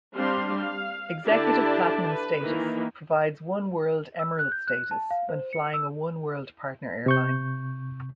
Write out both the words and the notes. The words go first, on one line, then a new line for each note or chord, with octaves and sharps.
Executive Platinum status provides oneworld Emerald status when flying a oneworld partner airline.
G3 C4 D4 G4 F5 C6
F5
D3 D4 E4 G4 D5 A5
B4
D#3 E3 A#3
E6
F#6
G6
F#6
A5
F5
C5
C#7
E6
C3 C#6 G6